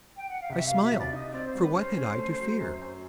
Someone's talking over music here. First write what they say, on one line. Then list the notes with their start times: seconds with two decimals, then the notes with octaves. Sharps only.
I smiled,--for what had I to fear?
0.16 G5
0.28 F#5
0.38 F5
0.50 C2 E5
0.65 F5
0.72 B2
0.81 E5
0.91 C2
0.98 D5
1.13 D#4 D#5
1.29 D5
1.34 C4
1.45 C5
1.55 G3 B4
1.76 C#4 C5
1.97 C#4
2.18 A3
2.40 F#3
2.60 F#2
2.81 F#2